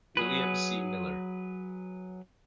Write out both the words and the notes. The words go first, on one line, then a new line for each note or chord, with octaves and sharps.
William C. Miller.
F#3 G#4 B4